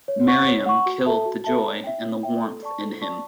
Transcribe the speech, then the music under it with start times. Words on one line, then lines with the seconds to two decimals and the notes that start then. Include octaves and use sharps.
Miriam killed the joy and the warmth in him.
0.08 C#5
0.28 F#5 C#6
0.47 C#5
0.66 F#5 C#6
0.86 F#4
1.06 A4 E5 A5
1.26 F#4
1.44 A4 E5 A5
1.64 C#5
1.84 E5 G5
2.04 C#5
2.23 E5 G5
2.43 A4
2.63 D5 A5 C#6
2.82 A4
3.02 D5 A5 C#6